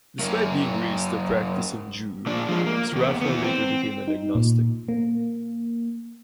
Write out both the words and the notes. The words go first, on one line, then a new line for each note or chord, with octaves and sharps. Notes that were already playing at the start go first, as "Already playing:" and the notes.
Despite being raised a practicing Jew, Sraffa later became an agnostic.
F#2 A#3
A#2 D4
F3 G#3
A#3
D#2 B3
E3 B3
C4
D#4
A#2
A#3